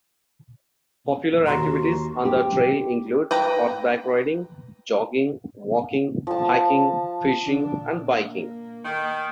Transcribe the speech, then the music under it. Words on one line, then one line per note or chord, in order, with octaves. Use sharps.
Popular activities on the trail include horseback riding, jogging, walking, hiking, fishing and biking.
D#2 F#4 A#5 C6
G4
B4 G5 A#5
F3 A5
D3 D4
A#2
A#3
D#3